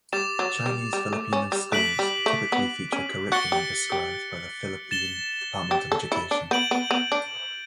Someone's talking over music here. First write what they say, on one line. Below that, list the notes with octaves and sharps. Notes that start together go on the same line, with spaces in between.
Chinese Filipino schools typically feature curriculum prescribed by the Philippine Department of Education.
G3 D6 A6 E7
F#3
G3
G3
A3
C#4
G3
A3 F#6 B6 D7 F#7
G3
A3
B3
C#4
F#4 F#6 A6 C#7 G7
G4
G4
A6 E7 G7
G4
A4
E4
D4
B3 G6 D7 F#7
B3
B3
D4